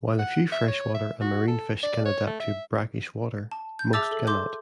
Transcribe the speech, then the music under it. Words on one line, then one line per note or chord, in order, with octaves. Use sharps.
While a few freshwater and marine fish can adapt to brackish water, most cannot.
F#5
E5
C#5
E5
F#4
A4
D5
C#5
A3
E5
A5
G6
G#4 E5 A5 D6 E6 A6
A4
C6 D6 G6